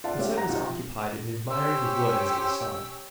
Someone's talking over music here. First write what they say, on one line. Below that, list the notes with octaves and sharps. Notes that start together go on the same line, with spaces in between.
Cosette was occupied in admiring the wood as it was sawed.
F4 D5 E5 F#5 A5 C6
G#3 C4 C#4 G4 E5 F5
F#5 A#5 A#6
C3 F#3 D#4 F4
F3
C#4 G4 C5 C#5 E6